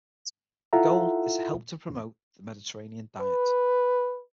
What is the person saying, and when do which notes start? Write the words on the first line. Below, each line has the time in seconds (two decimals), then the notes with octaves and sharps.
The goal is to help to promote the Mediterranean diet.
0.73 E4 F4 A4 E5 F#5 A#5
3.21 B4